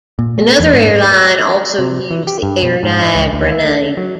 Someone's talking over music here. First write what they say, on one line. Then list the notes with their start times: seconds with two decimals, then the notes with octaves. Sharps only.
Another airline also used the Air Niagara name.
0.19 A#2
0.38 A3
0.60 E2
0.74 G#2
1.79 C3
2.11 E3
2.27 G4
2.43 G2
2.63 B2
2.83 G#2
3.03 D#5
3.15 C#2
3.33 D2
3.52 E5
3.64 A3
3.97 F#3